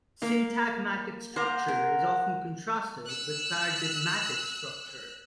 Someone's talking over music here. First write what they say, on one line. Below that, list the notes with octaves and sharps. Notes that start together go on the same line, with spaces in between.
Syntagmatic structure is often contrasted with paradigmatic structure.
A#3 A#4 F5
C5 F#5 A#5
A#4
E6 F#6